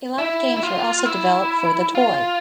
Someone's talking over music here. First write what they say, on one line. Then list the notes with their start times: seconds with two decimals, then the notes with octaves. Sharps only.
A lot of games were also developed for the toy.
0.18 E4
0.56 E4
0.63 F4
1.06 E4
1.95 F4